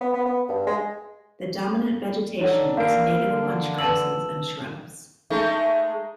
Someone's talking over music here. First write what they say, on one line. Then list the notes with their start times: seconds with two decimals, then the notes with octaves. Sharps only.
The dominant vegetation is native bunchgrasses and shrubs.
0.01 B3
0.14 B3
0.26 B3
0.49 G2
0.66 G#3
2.41 D4 D#4 A4 C#5 F#5
2.77 A#3 A#4 F5 C7 D7
3.29 D3
3.79 B4 A5 E6 F#7
5.30 G#3 A3 D#4